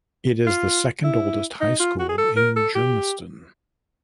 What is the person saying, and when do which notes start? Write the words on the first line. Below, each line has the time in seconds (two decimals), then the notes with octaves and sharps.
It is the second oldest high school in Germiston.
0.47 F4
1.04 E4
1.61 D#4
1.80 F4
1.99 F#4
2.09 G#4
2.18 A4
2.37 A#4
2.56 A4
2.75 G4